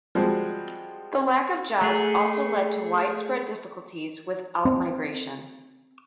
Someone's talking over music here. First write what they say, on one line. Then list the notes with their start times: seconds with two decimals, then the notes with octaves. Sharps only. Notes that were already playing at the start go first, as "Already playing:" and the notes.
The lack of jobs also led to widespread difficulties with outmigration.
0.15 F3 G3 G#3 C4 F#4 C5
1.82 A3 G#4
4.65 C4